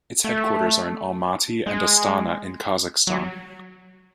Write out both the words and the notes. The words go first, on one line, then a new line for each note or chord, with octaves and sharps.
Its headquarters are in Almaty and Astana in Kazakhstan.
A3
G#3
F#3